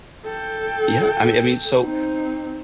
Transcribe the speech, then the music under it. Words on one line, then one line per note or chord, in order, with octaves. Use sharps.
Yeah, I mean I mean, so
A4 G5
C4 D#4